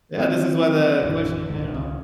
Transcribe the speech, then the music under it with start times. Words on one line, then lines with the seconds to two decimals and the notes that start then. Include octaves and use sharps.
Yeah, this is why the question, you know
0.18 D3 F#3 A#3 C4
1.02 A#1 F#2 D3 E3
1.50 D#1 C#2 G#2 D3
1.74 C#2 C#3